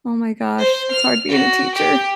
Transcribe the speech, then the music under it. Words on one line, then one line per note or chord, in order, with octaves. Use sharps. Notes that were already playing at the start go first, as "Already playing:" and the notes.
Oh my gosh, it's hard being a teacher.
C5
F6
F#4
G4